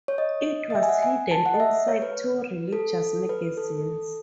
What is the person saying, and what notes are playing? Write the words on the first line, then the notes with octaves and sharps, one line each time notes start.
It was hidden inside two religious magazines.
C#5
D#5
D#5
E5
G#5
F#5
G#5
A5
F#5
D#5
E5
C#5
B4
A4
B4
A4